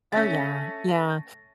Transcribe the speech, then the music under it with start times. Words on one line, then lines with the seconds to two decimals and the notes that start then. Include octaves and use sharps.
Oh, yeah. Yeah.
0.12 A3 C#4 A6 A#6